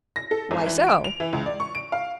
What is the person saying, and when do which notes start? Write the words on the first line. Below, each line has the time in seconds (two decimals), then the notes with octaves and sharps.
"Why so?"
0.16 A#6
0.31 A4
0.51 G#1
0.66 E3
0.87 D7
1.04 F7
1.20 E3
1.33 C#2
1.46 D5
1.60 C#6
1.75 D7
1.92 F5